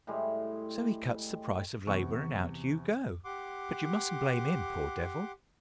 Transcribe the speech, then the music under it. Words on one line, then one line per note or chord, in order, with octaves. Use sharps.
So he cuts the price of labour and out you go. But you mustn't blame him, poor devil.
A2 G3 G#3
E2 C3 C#6
G4 F#5 C6 D6